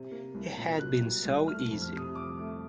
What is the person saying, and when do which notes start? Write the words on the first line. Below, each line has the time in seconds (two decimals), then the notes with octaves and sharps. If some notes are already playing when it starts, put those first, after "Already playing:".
He had been so easy.
Already playing: C3
0.12 A#3
0.35 C2
0.58 A#2
0.80 F#3 F#6
1.02 A#3
1.25 C2
1.47 A3 F6
1.71 F2
1.82 F6
1.93 C3
1.98 D#6
2.15 F3 D6
2.39 A3